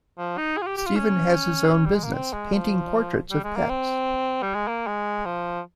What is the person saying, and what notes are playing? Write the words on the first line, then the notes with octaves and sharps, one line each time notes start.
Steven has his own business: painting portraits of pets.
F3
D#4
G#4
F4
G4
G4
F4
C#4
G3
G#3
A#3
C4
G#3
F3
G3
G#3
A#3
C4
G3
G#3
A#3
G#3
F3